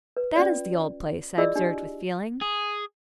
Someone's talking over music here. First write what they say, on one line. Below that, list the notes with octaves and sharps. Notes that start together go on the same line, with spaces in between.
'That is the old place,' I observed with feeling.
B4
C#4 F4 D5
E4 F4 G#4 D5 D#5 E6
D4 G4
G#4